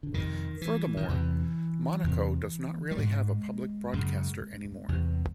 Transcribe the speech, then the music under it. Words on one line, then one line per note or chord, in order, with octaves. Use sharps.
Furthermore, Monaco does not really have a public broadcaster anymore.
D3
F2 C3 D#3
E3
D#3
E2 C3 E3
E2 C3
G3
G#2 G#3
F#2 C#3
E2 C3